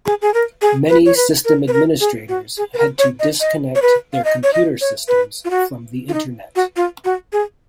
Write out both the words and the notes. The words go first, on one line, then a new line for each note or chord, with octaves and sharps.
Many system administrators had to disconnect their computer systems from the Internet.
G#4
G#4
A#4
G#4
B4
C#5
B4
A#4
B4
A#4
G#4
F#4
G#4
B4
A#4
C#5
D#5
D#5
C#5
B4
F5
D#5
C#5
D#5
C#5
B4
F4
F#4
F4
D#4
F#4
F4
F#4
G#4